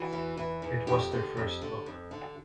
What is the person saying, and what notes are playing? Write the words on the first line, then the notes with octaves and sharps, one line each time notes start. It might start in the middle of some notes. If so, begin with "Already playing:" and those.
It was their first book.
Already playing: E3 F#4
E2
E3
E2
F2 G4
D3
F2
D3
F2
D3